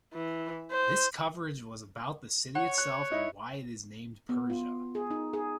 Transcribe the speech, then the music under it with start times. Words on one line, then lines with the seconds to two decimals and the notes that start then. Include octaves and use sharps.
This coverage was about the city itself and why it is named Persia.
0.14 E3
0.71 C5
2.55 C#5 F#5
2.78 F#6
3.12 D#4 E4
4.29 B3
4.50 F4
4.95 G#4
5.11 D#4
5.33 G#4